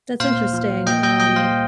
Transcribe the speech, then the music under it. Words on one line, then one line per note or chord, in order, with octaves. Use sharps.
That's interesting, um,
A#2 C5 F5
F3
A#2 D#5 G5
D#5 G5
G3 D#5 G5
C5 F5